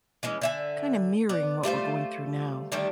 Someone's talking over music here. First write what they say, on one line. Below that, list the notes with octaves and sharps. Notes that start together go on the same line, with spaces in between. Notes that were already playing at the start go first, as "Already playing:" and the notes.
kinda mirroring what we're going through now,
E3 G#3 C#4
D3 E5 G#5
B3 D5
G3 A3 F4 C5
D3 D#3 G3 A3